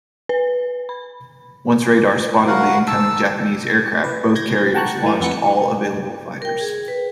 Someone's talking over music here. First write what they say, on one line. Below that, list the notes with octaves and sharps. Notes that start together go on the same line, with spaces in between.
Once radar spotted the incoming Japanese aircraft, both carriers launched all available fighters.
B4
B5
F#4 A#4 F5 F#5
A5 E6
B4
G6 G#6 A#6
F#5 G5 A5 A#5 C#6 F#6
A2 E3
F2 B3 B4 C#7
A#4 G5
G#4
B4